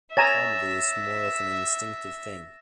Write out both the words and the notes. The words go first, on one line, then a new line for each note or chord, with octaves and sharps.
Comedy is more of an instinctive thing.
C#5 E5 G#5 A#5 A6 A#6 E7